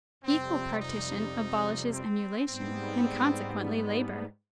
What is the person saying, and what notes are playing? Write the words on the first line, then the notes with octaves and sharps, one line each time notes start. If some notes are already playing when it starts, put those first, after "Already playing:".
Equal partition abolishes emulation; and consequently labor.
F2 C3 G3 C4
D#4
C4
G#2 G3 B3 C4